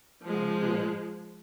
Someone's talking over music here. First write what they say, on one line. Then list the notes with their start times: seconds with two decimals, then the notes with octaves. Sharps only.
I am born.
0.23 F3 G#3